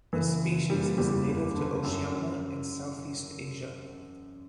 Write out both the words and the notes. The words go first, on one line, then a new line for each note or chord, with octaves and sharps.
The species is native to Oceania and Southeast Asia.
F#1 E3
F#1
F#1 G3
E2 G3
F#1
D3
F#2
F#2